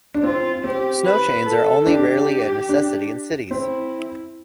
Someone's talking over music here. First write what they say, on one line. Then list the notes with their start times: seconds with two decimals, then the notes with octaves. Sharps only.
Snow chains are only rarely a necessity in cities.
0.15 D4
0.23 C4 F4
0.64 C4 G4
1.06 B4
1.46 A4
1.87 D4 G4
2.69 D4
3.51 C4 E4